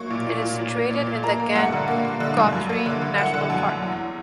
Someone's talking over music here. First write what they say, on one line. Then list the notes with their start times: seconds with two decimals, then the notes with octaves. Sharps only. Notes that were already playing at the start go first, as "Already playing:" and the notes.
It is situated in the Gangotri National Park.
Already playing: F#3 A#3 C#6
0.10 A#2
0.27 A#2
0.42 A#2
0.58 A#2
0.75 A#3
0.91 A#2
1.07 A#2
1.23 A#3 A#5
1.40 A#3
1.55 G2 F#5
1.72 D3
1.88 A#3
2.05 A#3
2.20 D3
2.37 G2
2.53 F#2
2.69 A#3
2.86 D3
3.02 D3
3.17 D3 F#5
3.34 D3
3.50 F#2
3.67 F#2
3.82 E2